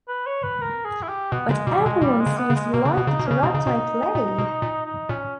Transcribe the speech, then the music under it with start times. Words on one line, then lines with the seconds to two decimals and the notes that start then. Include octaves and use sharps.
But everyone seems to like the character I play.
0.08 B4
0.26 C#5
0.43 B4
0.61 A#4
0.84 G#4
1.02 E4
1.08 G4
1.32 B2 B3
1.49 C#3 G#3
1.67 B2 G3
1.85 B2 G#3
2.02 B2 G3
2.20 G#3
2.26 C#3
2.38 B3
2.50 C#3
2.56 G#3
2.73 B2 A#3
2.85 C#3
2.91 B3
2.97 B2
3.08 C#3 D#4
3.20 B2
3.26 C#4
3.31 C#3
3.43 B2 D#4
3.55 C#3
3.66 B2
4.15 A#2
4.38 B2
4.62 A#2
4.86 D#4
5.09 A#2 C#4